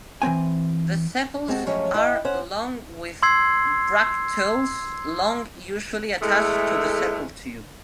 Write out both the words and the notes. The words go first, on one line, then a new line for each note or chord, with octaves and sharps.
The sepals are long with bracteoles long usually attached to the sepal tube.
E3 G#3 C4 G#5
G#3 C4 F#4 A5
F3 F#3 G#3 A3 C#4
E4 D#5 G5
C#4 C5 F#5
C6 E6 G#6 C7
E2 G#3 A3